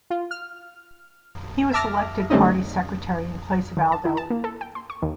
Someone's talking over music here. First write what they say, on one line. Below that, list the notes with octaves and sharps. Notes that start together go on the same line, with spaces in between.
He was elected party secretary in place of Al-Daud.
F4
F6
E5 A5 D6 F6 A#6
D3 G3 A3 C4 C#4 D#4
D#3
A5
E4
A5
A#3
A4
G5
C6
C#6
D#2